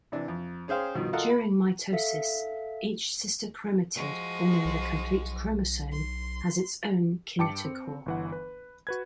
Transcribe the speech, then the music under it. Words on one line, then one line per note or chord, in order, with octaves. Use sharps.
During mitosis, each sister chromatid forming the complete chromosome has its own kinetochore.
C3 E3 D4
F2
C#4 G#4 C5 F5 G5
G2 B2 D#3 F3
F4 F#4 A4 A#4 D#5 F#5
B5
A4 E5 F5 B6
F3 G#3 F#4
B1
C6
G2 G5 A5 D6 C#7
C4
G1 E3 F#5
B4
F#4 B4 G#6